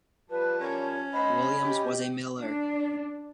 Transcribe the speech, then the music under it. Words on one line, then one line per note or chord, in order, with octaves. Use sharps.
Williams was a miller.
F3 G3 B4 A5
C#4 A#4 C#5
D#4 C5 D#5 F#5 B5
G4 C#5 D#5
D4